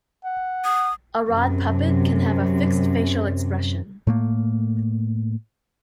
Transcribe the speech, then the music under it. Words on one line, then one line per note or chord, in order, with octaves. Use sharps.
A rod puppet can have a fixed facial expression.
F#5
D#6
F#2 C3
A2 A3 A#3